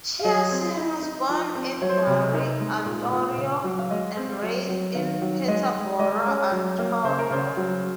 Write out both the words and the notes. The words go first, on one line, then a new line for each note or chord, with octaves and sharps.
Chiasson was born in Barrie, Ontario, and raised in Peterborough, Ontario.
F5
F#3 D#5
C4
D#4
D#4
F3
C4
F#3 C#5
C5
C#5
C3
D#4
G#3
A#2
A#2
C#3
F#3
F5
G#3 D#5
C4
F#3
F#3
D#3 F5
F#3
G#3 D#5
G#3
G#3 D#5
C#4
F#3
A#3
C#3 C5
A#4
C#3 C5
F#3